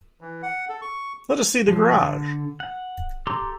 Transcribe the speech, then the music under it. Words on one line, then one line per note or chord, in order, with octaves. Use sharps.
Let us see the garage!
E3
F#5
A4
C#6
F3
D3
F#5
G4 A4 A#5 C6 D6